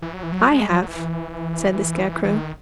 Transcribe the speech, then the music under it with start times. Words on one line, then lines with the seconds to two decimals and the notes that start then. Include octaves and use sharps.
"I have," said the Scarecrow.
0.02 E3
0.14 F#3
0.23 E3
0.32 F#3
0.50 G#3
0.69 F#3
0.82 F#3
0.87 E3
2.24 E3
2.35 D#3